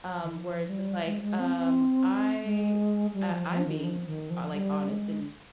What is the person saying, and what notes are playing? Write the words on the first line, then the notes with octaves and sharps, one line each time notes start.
Um, where it's just like, um I, uh, I'm being, uh, like honest and
D#3
F3
G3
G#3
G#3
C4
C4
G#3
G3
F3
F3
D#3
F3
D#3
F3
G3
G#3